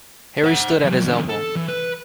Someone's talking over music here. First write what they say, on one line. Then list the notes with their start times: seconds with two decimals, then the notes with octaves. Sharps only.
Harry stood at his elbow.
0.44 C5 F#5
0.84 E3 F#3
1.02 E2 D3
1.29 A4
1.56 E3
1.68 B4